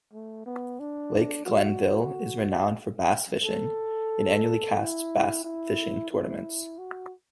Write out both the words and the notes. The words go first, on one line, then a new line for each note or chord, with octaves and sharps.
Lake Glenville is renowned for Bass fishing, it annually casts bass fishing tournaments.
A3
B3
D4
F#4
A4
E4
E4
E4
F#4